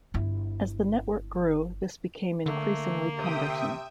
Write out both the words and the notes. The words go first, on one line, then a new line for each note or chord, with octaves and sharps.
As the network grew, this became increasingly cumbersome.
G1 E4
D3 A3 A#3
C3 E5 G5 D#6